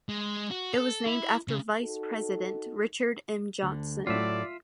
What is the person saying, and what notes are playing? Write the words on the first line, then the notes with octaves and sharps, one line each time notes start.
It was named after Vice President Richard M. Johnson.
G#3
F#4
A4
E4
C#3
D#4 F#4 A4
D2 D3
A2 F#3 F4 D5 E5